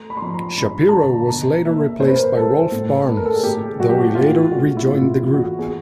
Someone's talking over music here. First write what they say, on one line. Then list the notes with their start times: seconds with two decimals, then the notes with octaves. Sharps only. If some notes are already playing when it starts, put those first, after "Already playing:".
Shapiro was later replaced by Rolf Barnes, though he later rejoined the group.
Already playing: A3 A#5
0.10 B5
0.17 C6
0.22 F3 B5
0.34 A#5
0.57 G2 B5
0.89 A5
0.93 D3 A#5
1.25 A5
1.29 B2 A#5
1.64 A#3 E5
2.00 B2 C5
2.08 B4
2.15 A#4
2.23 B4
2.36 G3 A4
2.72 A2
3.07 A3 B4
3.17 A#4
3.26 A4
3.36 G#4
3.43 A2 G4
3.80 F#3 F#4
3.89 G4
3.98 F#4
4.15 A2 F4
4.51 G#3 F#4
4.77 E4
4.87 A2 F4
5.11 F4
5.23 E3
5.34 F#4
5.59 B3 G#4